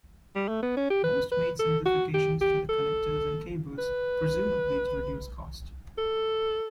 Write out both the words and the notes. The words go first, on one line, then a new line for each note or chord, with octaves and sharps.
Most made simplifications to the connectors and cables, presumably to reduce costs.
G3
A3
B3
C#4
G4
B4
B4
A4
F#4
G4
G4
A4
B4
A4